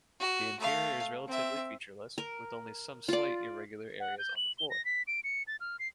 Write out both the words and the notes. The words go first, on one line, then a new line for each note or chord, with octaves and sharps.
The interior is relatively featureless, with only some slight irregular areas on the floor.
F#4
A3 F5
C4 E5
A#4
F4 D5
F#5
G6
F#7
G7
A#6
B6
D7
C#7
A6
F6
C7